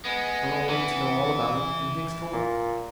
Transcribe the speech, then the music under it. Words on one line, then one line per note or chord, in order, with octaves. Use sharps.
The Colonel wanted to know all about it, and Hicks told him.
G#3 B3
E3
A#2